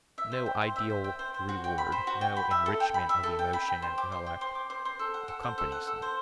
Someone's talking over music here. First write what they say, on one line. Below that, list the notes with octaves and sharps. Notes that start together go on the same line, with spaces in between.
No ideal reward, no enrichment of emotion and intellect, accompanies them.
E5
C5
G5
C5
E5
C5
G5
C5
C5
F#4
G5
B5
C5
F#4
G5
B5
E5
A4
G5
B5
E5
A4
G5
B5
G5
C5
D6
C5
G5
C5
D6
C5
C5
A4
F#5
A4
C5
A4
F#5
A4
C5